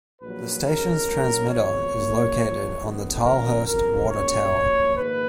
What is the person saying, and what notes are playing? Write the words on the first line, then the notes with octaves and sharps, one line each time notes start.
The station's transmitter is located on the Tilehurst Water Tower.
A#1 A#2 F#3 B4
B1 B2 G#3 C#4 A#4
G#2 F#3 A#3 C#4
G#1 G#2 F3 B3 C#5
C#2 C#3 F#3 A#3
A#1 A#2 F3
F#1 F#2 D#3 G#3 B3
F2 D#3 A#3 C#4 A#4
F2 C#3 F#3 A#4
B1 A#2 G#3 C#4 C#5
F#2 F3 A#3
A#1 G#2 D#3 A#3 B4